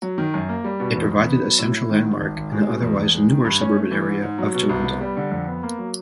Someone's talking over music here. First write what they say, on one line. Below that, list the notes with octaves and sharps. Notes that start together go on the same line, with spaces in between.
It provided a central landmark in an otherwise newer suburban area of Toronto.
F#3
D#3
F#2
A#3
G3
B2
E2
E2
B3
F#3
A2
E4
D#3
G#2
G#1
G#1
G#3
B2
E2
E2
G#3
D#3
G2
C#4
A3
E3
G#2
G#2
F#3
B2
C2
B3
G3
D3
F2
B3
A#3
F#3